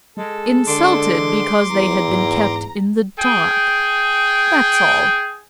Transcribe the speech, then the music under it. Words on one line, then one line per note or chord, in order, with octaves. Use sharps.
Insulted because they had been kept in the dark--that's all.
G#3 A4
D3 C6 D6
E2 A#5
G#2
G#4 G5